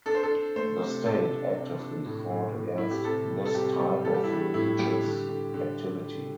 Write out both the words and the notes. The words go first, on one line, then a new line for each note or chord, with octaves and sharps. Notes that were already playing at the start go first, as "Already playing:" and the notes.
The state actively fought against this type of religious activity.
D4 A4
C5
A4
D4
A3 C5
C3
C3 A4
D4
C3
D4
A2
A2
A2
A2 E4
G4
C3 A4
G3
A4
C3 G4
G3
G3 A4
G4
E4
D4 G4
A2 E4
G3 G4
D3
D3
D3